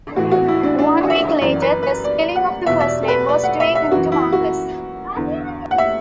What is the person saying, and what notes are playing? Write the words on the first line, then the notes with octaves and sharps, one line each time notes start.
One week later, the spelling of the first name was tweaked to Marcus.
A2 E3 F#4
F#4
E4
D4
D4
E5
F#2 E3 D5
B4
B4
D5
F#5
E2 B2 E5
E5
D5
A4
B4
D5
F#5
E5
E5
F#2 E3 F#4
E4
F#4
E2 D3
F#5
E5